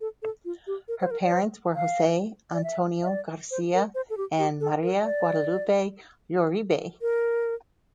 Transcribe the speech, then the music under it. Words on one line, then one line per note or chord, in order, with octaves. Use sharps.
Her parents were Jose Antonio Garcia and Maria Guadalupe Uribe.
A4
A4
F4
G4
A#4
C5
A#4
D5
C5
F5
D5
E5
E5
D5
C5
A#4
C5
A4
G4
G4
A4
A#4
D5
A#4